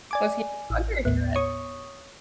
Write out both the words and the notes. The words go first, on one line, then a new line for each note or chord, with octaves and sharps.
Was he a dog or a cat?
D5 G#5 D6
A1
D#2 A2 B3
C#5 C#6 D#6